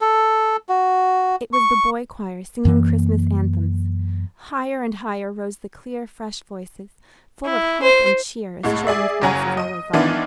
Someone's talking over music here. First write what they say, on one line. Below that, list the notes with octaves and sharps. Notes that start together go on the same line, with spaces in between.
It was the boy-choir singing Christmas anthems. Higher and higher rose the clear, fresh voices, full of hope and cheer, as children's voices always are.
A4
F#4
C#6
F#2 E3 A#3
E4
C5
C2 A2 G#3
G#4 D5 E5
F#1 C#3 F#3 F#4 G#5 A#5
D#5 D#7
D#3 E3 B3 D4 E4 F4